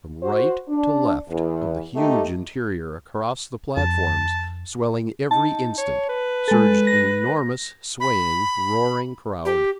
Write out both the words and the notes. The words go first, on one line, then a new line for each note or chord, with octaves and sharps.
From right to left of the huge interior, across the platforms, swelling every instant, surged an enormous swaying, roaring crowd.
F#4 C5
D4
E2
A3 A#3 D#4 G4
F2 A5
D#4 A5
C#5
B4
G#3 A4
A#6
B5
G4